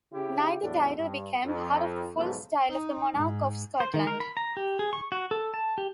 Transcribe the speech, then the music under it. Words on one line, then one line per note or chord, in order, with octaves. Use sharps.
Neither title became part of the full style of the monarch of Scotland.
C#3 E4 G4
E2 A2 F#3 G3 A3 D4
G2
F2
B1 G#2 C#3 F3 A3 B3
D#4
G#2
C5
D#3
A#4
B5
A#5
G4
G#4
C#6
F#4
A4
A5
G4